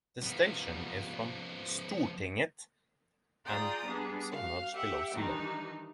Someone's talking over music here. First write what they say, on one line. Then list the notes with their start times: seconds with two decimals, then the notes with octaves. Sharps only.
The station is from Stortinget and submerged below sea level.
0.23 F3 B3
3.45 F4 G#4 D5 G5 A#5 D#6
3.85 G3 B3 D4 G#4
4.30 F#4 F5
4.74 G4 E5 F#5 G5
5.14 D#3 E3 G3 D4 D#4